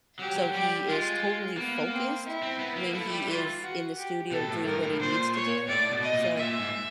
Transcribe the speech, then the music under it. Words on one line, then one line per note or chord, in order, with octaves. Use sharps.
So he is totally focused when he is in the studio doing what he needs to do, so
F#3 G4
F#3
G3 G4
G#3 F4
A#3 B3
C4
E4
C4
B3
A#3
A3 E4
G3
E3 F4
F#4
G4
B2 A4
A2
G2 A#4
A2
A#2 C5
C#5
A2 D5
B2
D#5
A#2
A#2 E5
G#2